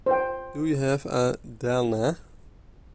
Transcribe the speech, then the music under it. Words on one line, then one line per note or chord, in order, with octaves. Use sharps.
Do you have a Delna?
C5 G5